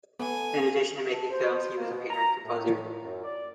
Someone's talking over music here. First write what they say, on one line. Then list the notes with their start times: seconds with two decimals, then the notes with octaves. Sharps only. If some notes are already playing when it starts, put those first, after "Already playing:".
In addition to making films, he was a painter and composer.
0.20 A3 B3 G#5
1.13 A4
1.31 C5
1.78 A#3
1.91 B2
2.10 A#5
2.45 A2
3.05 F#2
3.24 D5